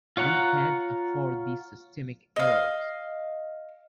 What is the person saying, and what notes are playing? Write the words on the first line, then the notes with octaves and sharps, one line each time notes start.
We can't afford these systemic errors.
F4 C#5 F#5 A#5 F#6
D#5 F5